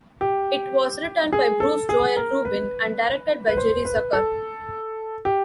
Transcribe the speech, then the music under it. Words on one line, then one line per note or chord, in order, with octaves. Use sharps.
It was written by Bruce Joel Rubin and directed by Jerry Zucker.
G4
G#4
A4
G#4
A#4
B4
B4
C5
B4
A4
G4